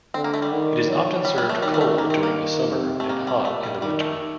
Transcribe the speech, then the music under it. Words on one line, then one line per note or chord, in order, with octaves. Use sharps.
It is often served cold during the summer, and hot in the winter.
D3 C4
A#3
A3
G3
D#3
F#3
F#3 G3
G3
A3
D#3 G3
G3
A3
D#3 A#3
C4
A#3
C3
A3
A#3
G3
A#2 A3
G3
D#3 G3
A3